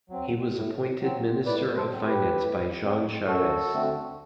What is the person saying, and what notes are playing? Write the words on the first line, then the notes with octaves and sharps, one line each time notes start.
He was appointed Minister of Finance by Jean Charest.
F#3 C4
A2
F#3 C4
A2 B4 D5
A4 C5
F#3 C4
G4 B4
A2
F#3 C4
F#2 F#4 A4
D3 A3 C4